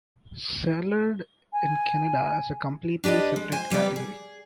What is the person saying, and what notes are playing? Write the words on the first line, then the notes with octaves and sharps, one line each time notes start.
Cellared in Canada is a completely separate category.
G#5
D4 G4 B4 D5 D#5
G#3
C5 G#5
C3 G3 B3 D5
G#4